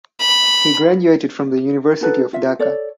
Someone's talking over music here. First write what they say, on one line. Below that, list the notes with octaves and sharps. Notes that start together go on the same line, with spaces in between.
He graduated from the University of Dhaka.
B5
D#4 F#4 A4 B4
F4 E5
A4 C#5 D5